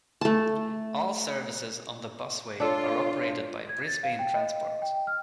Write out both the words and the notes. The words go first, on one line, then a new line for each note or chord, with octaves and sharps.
All services on the busway are operated by Brisbane Transport.
A3 A5
D4 F4 A4 C#5
G#6
A6
F5
G5
D#5
G5
F6